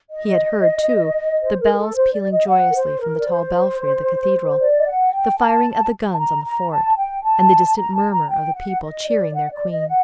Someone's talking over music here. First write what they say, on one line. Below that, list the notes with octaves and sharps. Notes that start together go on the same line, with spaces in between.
He had heard, too, the bells pealing joyously from the tall belfry of the Cathedral, the firing of the guns on the fort, and the distant murmur of the people cheering their Queen.
D#5
C5
A#4
A#4
A4
C5
D5
D#5
F#5
A#4
C5
A#4
D5
C5
D5
D#5
F#5
G5
A5
A5
A#5
A#5
A5
G5
A5
A#5
A5
A#5
G5
F#5
D#5
D5
F#5
D5
D#5
F#5